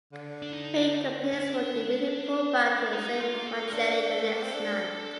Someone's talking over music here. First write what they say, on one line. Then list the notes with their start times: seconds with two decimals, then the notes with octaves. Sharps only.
The three companies were immediately pulled back to San Micheli the next night.
0.12 D3
0.42 D4
0.52 D#4
1.33 D4
2.93 G3 D#4
3.12 A3
3.20 F4
3.33 A#3
3.47 A4
3.53 A3
3.68 A#4
3.73 D4 A4
4.21 A3
4.32 A#3
4.42 C4
4.54 D4
4.93 D4